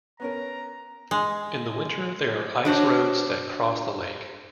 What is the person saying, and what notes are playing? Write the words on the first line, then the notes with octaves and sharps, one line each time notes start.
In the winter, there are ice roads that cross the lake.
B3 C#4 A#4 A#5
G#3
D4 F#4 C5 C#5